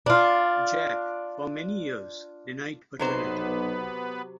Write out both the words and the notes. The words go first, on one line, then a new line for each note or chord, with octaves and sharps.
Jack for many years denied paternity.
D4 F4
B1 C3 F#3 B3 B4 C5